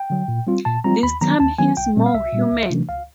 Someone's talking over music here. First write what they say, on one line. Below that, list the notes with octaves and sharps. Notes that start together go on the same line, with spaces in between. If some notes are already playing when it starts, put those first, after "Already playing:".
This time he's more human.
Already playing: G5
D3 F#3
A#2
G3 C4 F4
A#2 A5
G3 C4 F4 A#5
D#2 B5
D#3 F#3 B3 A#5
D#2 A5
D#3 F#3 B3 G#5
C2 G5
A#2 G3 C4
F5
C2 E5
A#2 G3 C4
C#2
C3 E3 A3 D4
C#2 F5